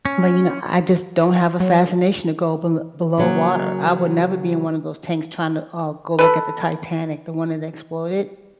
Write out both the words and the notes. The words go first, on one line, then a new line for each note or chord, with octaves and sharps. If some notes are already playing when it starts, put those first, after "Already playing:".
But, you know, I just don't have a fascination to go bel below water. I would never be in one of those tanks trying to, uh, go look at the Titanic- the one that exploded.
C#4
F#3
C#3 F#3 A#3
A4 B4